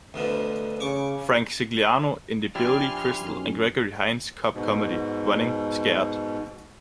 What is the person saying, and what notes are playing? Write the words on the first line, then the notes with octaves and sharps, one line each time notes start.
Frank Sigliano in the Billy Crystal and Gregory Hines cop comedy "Running Scared".
D2 B2 D3
C#3 C#6 D6
F3 D4 E4 G4 G#5 C6 F6
B1 F#2
G#2 B2